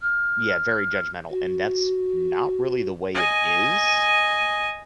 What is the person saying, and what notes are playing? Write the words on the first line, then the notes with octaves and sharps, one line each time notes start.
Yeah, very judgmental, and that's not really the way it is,
F6
F#4
D#5 G#5